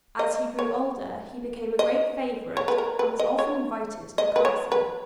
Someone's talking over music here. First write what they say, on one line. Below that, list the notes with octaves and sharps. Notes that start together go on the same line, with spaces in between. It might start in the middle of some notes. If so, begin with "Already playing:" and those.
As he grew older he became a great favorite and was often invited to the castle.
D#5
C#5
D#5
C#5
B4
A#4
B4
D#5
C#5
D#5
B4
C#5
B4